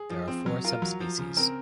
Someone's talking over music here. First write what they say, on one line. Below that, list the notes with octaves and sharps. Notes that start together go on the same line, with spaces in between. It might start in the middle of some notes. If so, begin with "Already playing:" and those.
There are four subspecies.
Already playing: G#4
F3
C4
F#3
F4 A#4
F#3
F3
C#3
C4 A#4